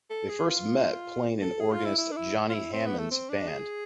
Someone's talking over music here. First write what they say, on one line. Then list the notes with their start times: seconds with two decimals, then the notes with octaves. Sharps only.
They first met playing in organist Johnny Hammond's band.
0.10 A4
0.29 G#4
0.48 F4
1.42 A4
1.60 G#4
1.73 F4
1.85 E4
1.98 E4
2.11 D4
2.16 E4
2.50 F4
2.55 E4
2.73 C4
2.86 B3
2.99 A3
3.11 C4
3.30 D4
3.48 G#4